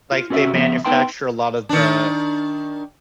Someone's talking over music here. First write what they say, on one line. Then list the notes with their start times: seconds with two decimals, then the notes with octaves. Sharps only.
Like, they manufacture a lot of the
0.12 F4
0.30 C#4 F#4 A4 C5 E5
0.52 C#2 F3 B3 E5
0.85 B3 D#4 B4 G5 A5 C6
1.69 D#3 D4